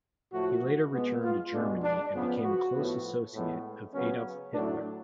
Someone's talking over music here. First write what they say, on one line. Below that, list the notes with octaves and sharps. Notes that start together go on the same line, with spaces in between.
He later returned to Germany and became a close associate of Adolf Hitler.
A2 F3 A3 F#4
B2 G#3 B3
F4
B2 G#3 B3 D4
D4
C#3 F3 B3
F#4
A2 F3 B3
A2 G#3 B3
C#3 F#3 B3 C#4
A2 F#3 A3 D4